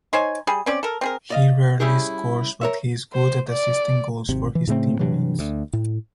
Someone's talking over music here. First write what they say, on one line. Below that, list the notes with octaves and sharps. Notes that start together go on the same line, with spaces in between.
He rarely scores but he is good at assisting goals for his teammates.
D#4 C5 C#5 G#5
G3 G#4
C4 C#4 D5
A4 A#4
C4 G#4 A#4
D5 D#5 F5
G3 C#4 E4 G4 G#4
A#4 C#5 E5
C5
D5
G#1 C3
E3
A2 C#3 A3 C4
G2 C3 E3 F#3
D2
A2